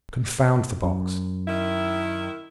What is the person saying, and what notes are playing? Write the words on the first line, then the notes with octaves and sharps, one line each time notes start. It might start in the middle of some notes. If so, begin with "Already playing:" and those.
Confound the box!
F#2
D#3 E4